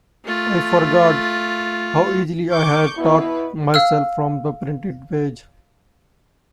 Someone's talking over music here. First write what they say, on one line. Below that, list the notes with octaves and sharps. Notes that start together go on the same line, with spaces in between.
I forgot how easily I had taught myself from the printed page.
A3 F4
C#6 D6 G6
B2 E4 B4
F5 E6 F6